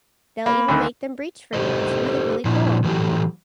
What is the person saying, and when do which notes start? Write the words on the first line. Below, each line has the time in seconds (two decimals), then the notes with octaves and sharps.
they'll even make them breach for you. It's really, really cool.
0.46 A#3 B5
0.68 D2 D3 D#3
1.54 G4 A4 C5 D#5
2.45 A#2 F3 D4 E4
2.84 A2 E3 F#3 G4 A4